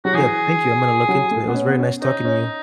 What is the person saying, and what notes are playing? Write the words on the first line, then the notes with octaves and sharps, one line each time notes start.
Yeah. Thank you, I'm gonna look into it, it was very nice talking to you.
F#3 F#4
E3 G#4
F#3
A3
B3
C#4
B3
C#4
C#4 D#4
C#4